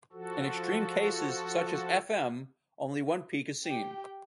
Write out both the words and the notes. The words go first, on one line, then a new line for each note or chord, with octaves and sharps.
In extreme cases such as Fm, only one peak is seen.
F3 F#4 A4
G4 G5